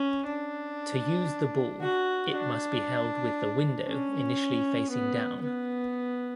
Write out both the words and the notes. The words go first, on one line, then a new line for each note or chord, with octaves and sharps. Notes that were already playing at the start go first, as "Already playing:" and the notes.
To use the ball, it must be held with the window initially facing down.
Already playing: C#4
D4
F#4
D4
C#4
B3
B3